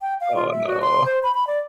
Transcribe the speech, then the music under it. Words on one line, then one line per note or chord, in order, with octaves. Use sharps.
Oh, no.
G5
F5
F4
E5
F#4
C6
C5
B5
B5
D5